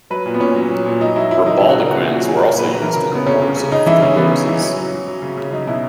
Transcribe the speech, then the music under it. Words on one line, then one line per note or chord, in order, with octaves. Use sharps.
Ribauldequins were also used in the Wars of the Roses.
F#3 B4
A#2
B3
A#2 C#4
F#3
F#3
A#2
F#3 D#4
F#3 E4
F#3 E4
F#3 D#4
C#3 E4
F#4
C#3 A#4
A#2 F#4
A#2 E4
F#4
F#3 G#4
F#3 A#4
A#2
B4
F#3
E3 A#4
C#3 A#4
C#3 B3
C#3 C#4
C#3
C#3
C#3 D#4
E3 E4
C#3 C#4
E3 B3
C#3
E3
F#3 C#4
F#3
F#3
F#3
C#3
C#3
F#3 D#4
B2 E4